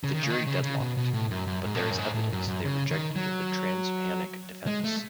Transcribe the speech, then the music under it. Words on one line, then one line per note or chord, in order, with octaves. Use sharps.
The jury deadlocked, but there is evidence they rejected the trans-panic defense.
C#3
D#3
C#3
D#3
C#3
C#3
B2
B2
A2
F#2
F#2
G#2
B2
A2
F#2
G#2
A2
F#2
F#2
C#3
D#3
F#3
G#3
A3